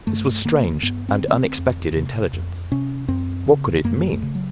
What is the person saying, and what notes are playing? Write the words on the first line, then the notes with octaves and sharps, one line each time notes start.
This was strange and unexpected intelligence; what could it mean?
G2 A3
D3 A#3
G2 B3
C4
D3
B3
C4
F2
C3
F2
C3 C#4
F#2 C4
C#3
F#2 A#3
A3
C#3
F#3